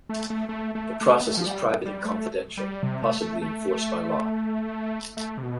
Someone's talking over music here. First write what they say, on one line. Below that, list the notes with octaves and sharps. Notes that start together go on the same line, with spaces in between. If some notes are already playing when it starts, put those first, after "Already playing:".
The process is private and confidential, possibly enforced by law.
A3
A3
A3
A3
A3
B3
A3
F3
G3
G3
A3
G3
C3
A3
A3
A3
A3
C3
B2